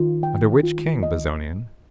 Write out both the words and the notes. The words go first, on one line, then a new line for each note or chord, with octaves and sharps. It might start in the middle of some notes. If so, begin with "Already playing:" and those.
Under which King, Bezonian?
Already playing: D#3 F4
G5
F4
D#5